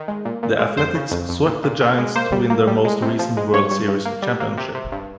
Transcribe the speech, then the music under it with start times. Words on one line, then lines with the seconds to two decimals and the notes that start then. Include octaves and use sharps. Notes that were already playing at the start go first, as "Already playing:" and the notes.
The Athletics swept the Giants to win their most recent World Series championship.
Already playing: D#3
0.08 G#3
0.25 A#2
0.43 A#2
0.59 G#3
0.77 F2 C5
0.95 C#3
1.11 F2
1.29 F2
1.46 A#2
1.64 A#2
1.81 A#2
1.98 G#3
2.15 A#3 C5
2.32 G3
2.50 A#3
2.67 G3
2.85 G#3
3.02 C3
3.19 F3
3.37 G#3
3.53 G2 C#5
3.71 G2
3.88 G2
4.05 A#3
4.22 G3
4.40 A#3
4.57 C3
4.75 C3
4.92 G2